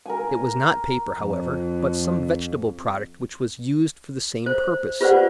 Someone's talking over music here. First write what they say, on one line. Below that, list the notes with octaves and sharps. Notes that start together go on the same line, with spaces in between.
It was not paper, however, but some vegetable product which was used for the same purpose.
A#4 G#5
F2
C5
F4 G4 B4 C5 D5 F#5